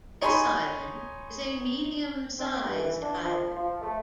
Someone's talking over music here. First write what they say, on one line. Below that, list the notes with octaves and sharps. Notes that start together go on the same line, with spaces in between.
This island is a medium-sized island.
D#4 C#5 G#5 B5 C6
C4
G2
E3
D4
F3
F3
A3